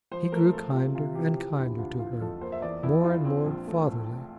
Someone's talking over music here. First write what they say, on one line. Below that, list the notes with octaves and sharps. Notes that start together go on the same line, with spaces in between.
He grew kinder and kinder to her, more and more fatherly.
F3 C5
A3 A#4
F3 A4
G4
C3 F4
C3 F4
F3 G4
E3 G4
D2 E4
D2 F4
E3 F4
F2 A4
A#3 C5
E5
E2 D5
E2 E4
E3 F4
C4
A#1
A3